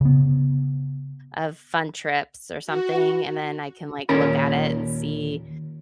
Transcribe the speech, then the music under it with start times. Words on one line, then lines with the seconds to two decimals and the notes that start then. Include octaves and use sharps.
of fun trips, or something, and then I can, like, look at it and see,
0.01 C#3 B3
2.66 F#4
4.09 D#2 A#2 C#4 A#4 B5